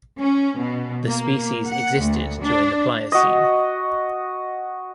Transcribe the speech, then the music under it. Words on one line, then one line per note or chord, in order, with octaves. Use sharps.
The species existed during the Pliocene.
C#4
B2
A#3
F#5
D2
D4
F#4 D#5